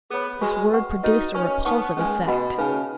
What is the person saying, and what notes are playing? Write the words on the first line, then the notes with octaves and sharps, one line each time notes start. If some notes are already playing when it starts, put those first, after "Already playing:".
This word produced a repulsive effect.
B3 G#4 C#5 B5
G#3 F#4 B4 G#5 C#6
B4 F#5 C#6
D#4 F#4 B4 D#5
C#4 B4 G#5 C#6
B3 D#4 B4 F#5 C#6
G#3 C#4 B4 G#5
B2 F#4 D#5 F#5 B5
C#3 D#4 B4 G#5